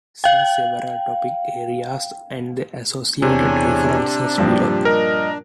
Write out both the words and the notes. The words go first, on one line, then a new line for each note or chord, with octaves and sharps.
See several topic areas, and the associated references, below.
F5 G5
E2 C3 D4 C#5 G#5
G2 A#2 F3 G4
A#4 D#5